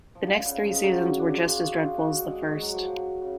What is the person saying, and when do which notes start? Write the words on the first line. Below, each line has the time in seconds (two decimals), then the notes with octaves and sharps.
The next three seasons were just as dreadful as the first.
0.15 F3
0.27 D3
0.45 C#3
0.64 F3
0.73 G#3
0.82 F#3
1.00 C#4
1.19 D4
1.38 F4
1.49 G#4
1.56 F#4
1.75 F4
1.99 F#4
2.24 G#3
2.48 G#3
2.61 F#3
2.74 F3
2.87 F#3
3.22 C#3